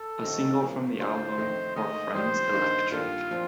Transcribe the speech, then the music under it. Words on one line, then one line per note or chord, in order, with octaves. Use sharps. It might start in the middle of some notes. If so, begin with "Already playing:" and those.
A single from the album, Are Friends Electric?
Already playing: A4
D#2 D3 A3 C4 D#4
A2 F3 A#3
D3 G3 A#3 D4 F4 C5
F2 D#3 A3 C4 D#4
D#2 D#3 A3 D#5
F2 D#3 G3 D4 G4 C5
G2 D#3 A#3 D#4
G2 D#3 A#3 D4 F4 A4
A#2 F3 C4